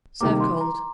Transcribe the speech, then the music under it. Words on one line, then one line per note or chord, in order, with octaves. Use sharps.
Serve cold.
C3 D#3 G3 A#3 D6
C6
A#5